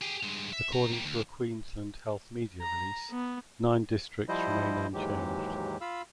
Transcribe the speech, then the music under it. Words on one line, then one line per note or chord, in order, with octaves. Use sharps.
According to a Queensland Health media release, nine districts remain unchanged.
G4 G#4
G2 G#3
E5
C#4 A#5
G3 A#3
D2
A#5
B3
F3 G3 E4 C5 D#5
D#2 G#2 E3 F#3 G#3 G4
F4 F5 B5 E6